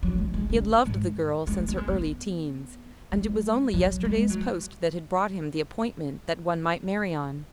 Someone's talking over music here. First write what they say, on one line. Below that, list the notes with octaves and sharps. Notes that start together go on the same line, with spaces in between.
He had loved the Girl since her early teens, and it was only yesterday's post that had brought him the appointment that one might marry on.
F#3
G#3
G#3
C#3
G#2
G#3
B3
G#3
B3
G#3
F#3
G#3
F#3